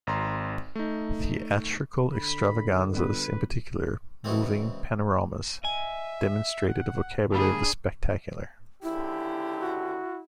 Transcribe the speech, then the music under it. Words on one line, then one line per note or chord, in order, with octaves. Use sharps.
Theatrical extravaganzas, in particular, moving panoramas, demonstrated a vocabulary of the spectacular.
G#1 A#5 C6
A3 D#4
D3 B5
G3 B3 F4 B4
C#3 E3 F#3 G#3 A#3 C4
D#5 E5 G#5
F#5
D2 G3 A#3 D4 G#4 A5 B5
C#2 D3 E4 G4
F#4